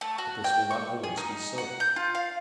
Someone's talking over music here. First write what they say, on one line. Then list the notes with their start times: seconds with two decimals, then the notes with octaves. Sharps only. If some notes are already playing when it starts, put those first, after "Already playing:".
But this will not always be so.
0.01 A3
0.18 F#4
0.44 G5
0.71 C#6
1.03 G#4
1.17 D#4
1.58 F#5
1.80 G6
1.96 F4
2.15 F5